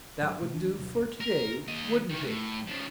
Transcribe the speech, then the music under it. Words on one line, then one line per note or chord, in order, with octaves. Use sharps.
That would do for to-day, wouldn't it?
G#2 F#3 D4
G#2 C3 A3
C#2 E3 D4
D1 D2 B2 F#3
G1 C#2 D#3 C#4
A#4
D#2 D#5
D#3 E3
A2
C#3 F3